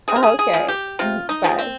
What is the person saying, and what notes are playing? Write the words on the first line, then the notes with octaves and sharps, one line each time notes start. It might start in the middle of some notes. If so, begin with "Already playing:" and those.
Okay, mhm, bye.
C3 G#4
A#4
G#4
G#4
F3 G#3
G4
C3 F4
D#4
F3 G#3
C4